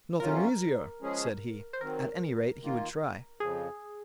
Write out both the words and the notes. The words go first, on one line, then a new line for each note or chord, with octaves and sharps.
'Nothing easier', said he; at any rate he would try.
F2 C3 F#3 C#4 F4 A#4
F3 G#3 C#4 G#4
C5
D#3 F#3 C4 A#4
D#3 A#3 F4
F2 C#3 F3 G#4